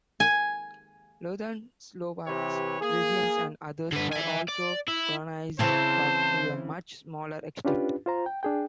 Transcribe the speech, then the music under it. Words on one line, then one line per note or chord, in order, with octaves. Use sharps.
Lutheran Slovaks, Rusyns, and others were also colonized but to a much smaller extent.
G#5
C3 E3 G4 B4 C#5
A#3 G#4
D3 B4
E5 G#5
D5
E4
C#3 E3 C4 C5 A5
C#4 D4 F4 G4 B4
F4 C5 A#5
G5
D4 G#4 G5